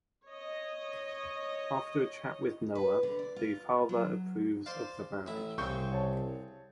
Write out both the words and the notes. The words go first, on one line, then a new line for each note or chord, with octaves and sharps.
After a chat with Noah, the father approves of the marriage.
C#5 D#5
B4
D3
D5
F4
F#3
C5 D5 F5
A1 E4
C2 C#3 C4 C#6 G6
C#5 A5